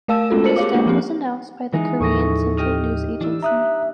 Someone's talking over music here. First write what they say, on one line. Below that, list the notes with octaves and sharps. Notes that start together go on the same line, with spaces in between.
His death was announced by the Korean Central News Agency.
A3 A#4 F5 A5 E6 E7
G#3 B3 C#4 F4 F#4 A4
F4 A#4 C5 C#7 F#7
G4 G#4 C#5 F5 D6
G#3 A#3 D4 F4
F3 C4 G4
E3 G#3 D#4
D#2 A2 F3 A4 C#6 D#6 A#6
G4 D#5 F6
E3 D4 E4 E6
E5 A#5 D#6 F#6